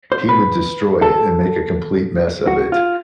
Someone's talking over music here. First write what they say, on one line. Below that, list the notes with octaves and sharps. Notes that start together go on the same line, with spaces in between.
he would destroy it and make a complete mess of it.
C5
B4
A4
F#4
F4